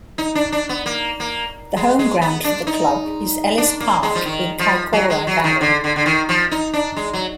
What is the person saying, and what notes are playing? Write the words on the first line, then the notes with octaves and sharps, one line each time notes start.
The home ground for the club is Ellis Park in Kaikorai Valley.
D#4
D4
D4
B3
A#3
A#3
G#3
G#3
B3
D4
D#4
D4
A#3
G#3
F3
D#3
F3
F#3
G#3
F#3
D#3
D3
D3
D3
D#3
F3
D#4
D4
G#3
F#3